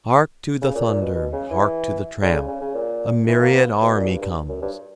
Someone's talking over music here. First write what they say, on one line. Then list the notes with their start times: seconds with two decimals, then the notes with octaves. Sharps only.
Hark to the thunder, hark to the tramp--a myriad army comes!
0.62 C#3
0.75 A#2
0.88 A#2
1.01 B2
1.15 B2
1.33 C#3
1.51 E3
2.22 D3
2.34 C#3
2.48 C#3
2.61 C#3
2.75 A#2
3.28 E3
3.41 A#3
3.55 B3
3.82 B2
3.95 A#2
4.08 G2
4.21 G2
4.48 F#2
4.62 G2